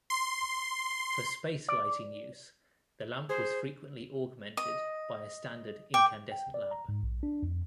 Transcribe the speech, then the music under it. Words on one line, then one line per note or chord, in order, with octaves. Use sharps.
For space lighting use, the lamp was frequently augmented by a standard incandescent lamp.
C6
D5
G#4 C5
D#5
G5 D6
G5
D5
A#5
G#2
A#1
D4
F2